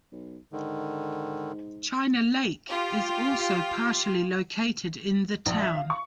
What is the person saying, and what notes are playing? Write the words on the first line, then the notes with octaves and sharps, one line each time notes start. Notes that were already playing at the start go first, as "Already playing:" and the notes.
China Lake is also partially located in the town.
B1
G#2 D3 D#3
F4 G4
A#1
E5
F5
C#6